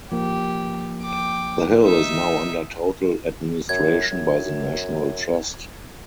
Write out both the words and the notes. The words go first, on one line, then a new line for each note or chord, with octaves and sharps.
The hill is now under total administration by the National Trust.
F3 A#3 G4
G5 D6
D#4 E5
F#2 G#6
F#2